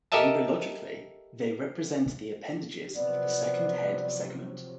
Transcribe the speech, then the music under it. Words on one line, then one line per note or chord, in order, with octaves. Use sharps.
Embryologically, they represent the appendages of the second head segment.
G4 A4 A#4 D#5 E5 A5
C3 F3 F#3 B3 D5